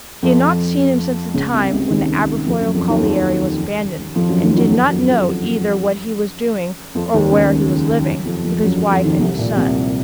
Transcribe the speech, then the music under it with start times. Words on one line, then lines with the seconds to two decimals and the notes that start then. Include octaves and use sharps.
He had not seen him since the time when the Aberfoyle colliery was abandoned, and did not know either what he was doing or where he was living, with his wife and his son.
0.23 F2 F3
1.34 C#2 C#3
1.54 C2 C3
1.73 C#2 C#3
1.90 D#2 D#3
2.47 F2 F3
2.60 F#2 F#3
2.75 F2 F3
2.89 D#2 D#3
3.02 F2 F3
4.15 F2 F3
4.29 F#2 F#3
4.43 D#2 D#3
4.57 F#2 F#3
4.70 F2 F3
4.90 F#2 F#3
5.08 F2 F3
6.95 F2 F3
7.14 D#2 D#3
7.32 C#2 C#3
8.07 F#2 F#3
8.25 F2 F3
8.44 F2 F3
8.63 F#2 F#3
8.77 F#2 F#3
8.91 F2 F3
9.05 D#2 D#3
9.19 C2 C3
9.38 A#2
9.56 C2 C3